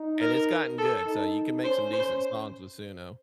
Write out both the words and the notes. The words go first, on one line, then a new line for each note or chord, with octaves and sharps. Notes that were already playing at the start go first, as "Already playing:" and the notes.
And it's gotten good, so you can make some decent songs with Suno.
Already playing: D#4
A#4
A4
D#4
C#4 C5
C5